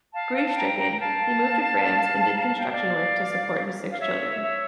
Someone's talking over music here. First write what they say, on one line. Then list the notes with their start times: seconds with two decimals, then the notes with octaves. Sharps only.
Grief-stricken, he moved to France and did construction work to support his six children.
0.13 F5 A5
0.35 F5 A5
0.56 G5 A#5
0.78 G5 A#5
0.91 A#5
0.99 F5 A5
2.33 A#5
2.46 A5
2.58 G5
2.70 D5 F5
3.90 F5
3.99 C#5 E5
4.41 C#5 E5